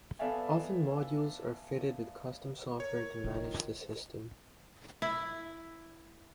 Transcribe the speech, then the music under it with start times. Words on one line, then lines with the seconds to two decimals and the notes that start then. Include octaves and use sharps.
Often modules are fitted with custom software to manage the system.
0.19 B3 A4 D5 E5 F5 G#5
2.80 A#4 C#5
3.24 D#3 D4 F4
5.02 E4